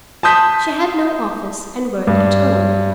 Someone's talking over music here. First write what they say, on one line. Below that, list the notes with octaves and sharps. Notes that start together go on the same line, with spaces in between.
She had no office, and worked at home.
A5 C6 D#6 G6 B6
G2